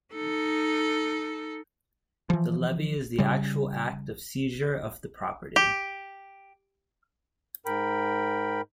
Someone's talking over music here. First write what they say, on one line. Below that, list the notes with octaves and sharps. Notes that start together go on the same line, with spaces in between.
The levy is the actual act of seizure of the property.
D#4 A4
E3 F3
C#3 G3
G4
G#2 A#4 G5 B5